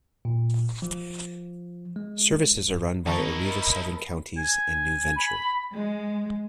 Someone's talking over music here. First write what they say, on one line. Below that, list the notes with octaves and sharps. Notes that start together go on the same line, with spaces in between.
Services are run by Arriva Southern Counties and Nu-Venture.
A#2
F3
G#3
G2
D#3 C4 D#4 E4 A#4 A5 B5 C#6
G#5
B5
G#3